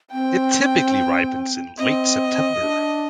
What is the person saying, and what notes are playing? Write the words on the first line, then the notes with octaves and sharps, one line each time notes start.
It typically ripens in late September.
C4 G5
C4 D#5
D4